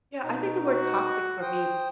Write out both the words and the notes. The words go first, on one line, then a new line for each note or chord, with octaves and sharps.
Yeah, I think the word toxic for me
B2 D#4
F#4
C5 G5 D#6